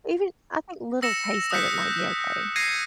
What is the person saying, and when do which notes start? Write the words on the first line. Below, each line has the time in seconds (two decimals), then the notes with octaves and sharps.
Even I think little taste of it might be okay.
1.02 E6 A#6 C#7 E7
1.51 D#6 E6 F#6 G6 B6 C#7
2.56 G#6 A#6 C7 C#7 D#7